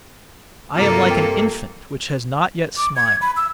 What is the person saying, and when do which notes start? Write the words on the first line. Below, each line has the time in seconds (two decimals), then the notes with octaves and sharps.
I am like an infant which has not yet smiled.
0.77 G2 C3 A#3 F4 A4 A#5 D6 F6
1.11 G5
2.77 D6
2.96 G#6
3.22 B5
3.37 E6